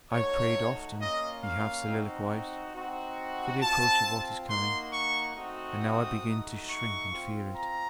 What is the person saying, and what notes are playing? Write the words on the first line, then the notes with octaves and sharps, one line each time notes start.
'I've prayed often,' he half soliloquised, 'for the approach of what is coming; and now I begin to shrink, and fear it.
A3 D#4 F#4 C#5
A#3 C#4 F4 D#5
F5
C4 D#4 F#4
C4 D#4 F#4
C4 F4 A5
A#3 D#4 F#4 C6
C#6
A3 C4 D#4 F#4
D#6
A3 D#4 F#4
C#6
C4 F4
A#5